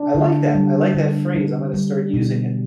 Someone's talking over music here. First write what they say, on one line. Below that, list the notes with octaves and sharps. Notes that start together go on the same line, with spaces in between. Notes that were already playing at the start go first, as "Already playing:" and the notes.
like that. I like that phrase, I'm gonna start using it.
Already playing: D4
D3
G3
D3
G3
G3
B2